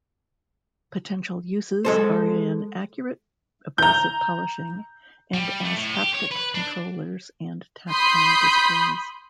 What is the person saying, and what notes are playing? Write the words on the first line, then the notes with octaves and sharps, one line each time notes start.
Potential uses are in accurate abrasive polishing and as haptic controllers and tactile displays.
G#3 A4 C5
A#5 G6
G3
A3
A2
G4
C#5
B4
D4
B5 C6 D#6 G6